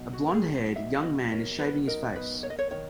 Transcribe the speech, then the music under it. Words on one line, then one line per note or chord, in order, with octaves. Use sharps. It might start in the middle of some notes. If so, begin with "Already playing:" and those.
A blondhaired, young man is shaving his face.
Already playing: B2 F#3 D#4
F#4
A#3
A#4
G#4
F#3
D#4 E5
B2 D#5
A#3 C#5
F#3 B4
D#4 A#4
B2 B4
A#3 C#5
D#5
C#5
D#3 C#5